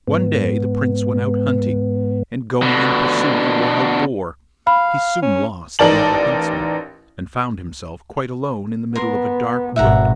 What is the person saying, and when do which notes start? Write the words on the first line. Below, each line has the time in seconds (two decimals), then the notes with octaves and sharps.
One day the Prince went out hunting, and going in pursuit of a wild boar he soon lost the other huntsmen, and found himself quite alone in the middle of a dark wood.
0.07 G#2 B3
2.62 B2 D3
4.67 F5 B5
5.22 C#4
5.79 A1 D#4 A#4 D5 A5 F#7
8.95 B3 A#4 C6
9.76 G#1 B2 E5 F#5 A#5